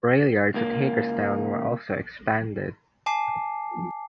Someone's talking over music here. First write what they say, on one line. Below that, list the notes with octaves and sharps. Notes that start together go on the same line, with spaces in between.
Rail yards at Hagerstown were also expanded.
C#2 A#3
G#5 A5 D6 C7